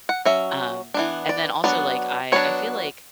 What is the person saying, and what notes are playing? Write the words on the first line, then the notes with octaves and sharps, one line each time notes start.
Um, and then also, like, I I feel like
F#5
F#3 C#4 E5
E3 B3 D4
D5
F#3 B3 D4
F#3 B3 D4 C#5